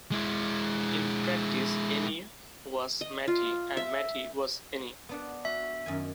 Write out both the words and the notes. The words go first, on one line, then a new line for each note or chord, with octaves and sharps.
In practice, Eni was Mattei and Mattei was Eni.
G#3 E4
D#5
F4
E5
B3 D4 F#5
F#4 E5
F#2 D#3 G#5